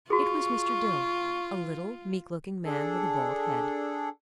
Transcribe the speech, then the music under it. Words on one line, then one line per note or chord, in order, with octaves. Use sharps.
It was Mr. Dill, a little, meek-looking man with a bald head.
F4 F#4 G#4 C#6
D4 G#4 A4